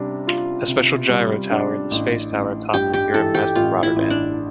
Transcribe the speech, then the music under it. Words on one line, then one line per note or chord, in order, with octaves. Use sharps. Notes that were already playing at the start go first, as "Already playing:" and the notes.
A special gyro tower is the Space Tower atop the Euromast in Rotterdam.
Already playing: C3 G3 D4
F4
C3
G3
D4
A1
A1
G2 G4
G4
E3 A4
G4
A1 F4
E4
A1
D4